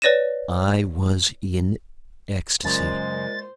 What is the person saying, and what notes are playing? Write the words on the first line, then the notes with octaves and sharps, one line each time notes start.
I was in ecstacy.
B4 C#5 D5 A#6 D#7 E7
F#2 A#2 C#3 G#3 C5 A6